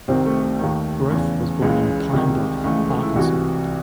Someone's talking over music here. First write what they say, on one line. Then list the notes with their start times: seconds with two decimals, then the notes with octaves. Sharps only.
Roaf was born in Pine Bluff, Arkansas.
0.08 C2 C3 D#3 C4
0.25 A3
0.42 A3
0.59 D#2 D#3
1.10 E2 C#3 E3
1.62 C#2 C#3 E3 G#3
2.13 C2 C3 D#3
2.64 C#2 C#3 E3 A3
2.77 G#3
2.90 A3
3.03 E4
3.16 C2 C3 E3 F#4